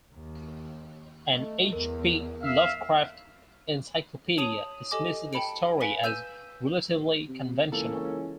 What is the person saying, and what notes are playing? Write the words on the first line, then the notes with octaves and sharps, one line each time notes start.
"An H. P. Lovecraft Encyclopedia" dismisses the story as "relatively conventional".
D#2
A3 D#5
E2 A#4
E5 F5
C#5 A5 D#6 D#7 F7 F#7
G4 A4 D#5 G#5 D6
G5 A5 B5 C#7 D7
B4 F5 G#5 B6 G7
E6 G6 D#7 E7
C3
C#2 E3 A#3 C#4 A4